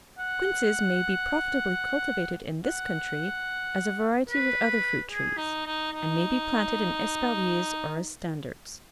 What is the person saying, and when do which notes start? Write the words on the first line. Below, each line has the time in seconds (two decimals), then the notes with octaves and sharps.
Quinces may be profitably cultivated in this country as a variety with other fruit-trees, and may be planted in espaliers or as standards.
0.19 F#5
2.65 F#5
4.29 B4
5.11 G#4
5.37 D#4
5.66 D#4
5.92 D#4